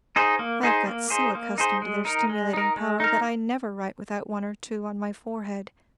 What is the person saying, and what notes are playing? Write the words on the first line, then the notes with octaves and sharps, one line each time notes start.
I have got so accustomed to their stimulating power that I never write without one or two on my forehead.
D#4 G#4 C5
A#3
D#4 G#4 C5
A#3
D#4 G#4 C5
A#3
D#4 G#4 C5
G#3
D#4 A#4
G#3
D#4 A#4
G#3
D#4 A#4